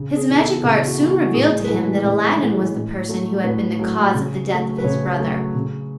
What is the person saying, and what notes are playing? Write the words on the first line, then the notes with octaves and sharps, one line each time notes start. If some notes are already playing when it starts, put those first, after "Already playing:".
His magic art soon revealed to him that Aladdin was the person who had been the cause of the death of his brother.
Already playing: C#3
G#4
E3 B3
A4
C#3 E4
F#4
B3
E3
F#4
A2 G#4
B4
E3 G#3 A4
A2
E3 G#3
A2
F#3 A3
A2 B4
F#3 A3
C#3
F#3
A3
B4
C#3 C#5
F#3 A3
C#3